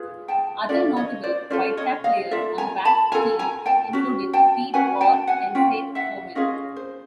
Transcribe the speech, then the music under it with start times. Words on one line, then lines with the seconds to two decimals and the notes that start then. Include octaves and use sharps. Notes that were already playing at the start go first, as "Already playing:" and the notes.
Other notable Whitecap players on Backe's team included Pete Orr and Seth Foreman.
Already playing: F4 G#4 B4
0.28 G5 A5
0.69 C#4 F4 A4 D5 E5
0.96 C#5 D#5
1.23 C5 D5
1.50 C#4 F4 A4 C5 D5
1.77 C#5 D#5
2.04 D#5 F5
2.31 F4 A4 D5 E5
2.58 G#5 A#5
2.85 A5 B5
3.12 F4 A4 G#5 A#5
3.39 G#5 A#5
3.66 G5 A5
3.93 C#4 F#4
4.33 G5 A5
4.74 C#4 F#4 B4 F#5 G#5
5.01 G5 A5
5.27 F#5 G#5
5.55 C#4 F4 G5
5.95 E5 F#5
6.35 C#4 F4 G#4 D#5 F5
6.76 C5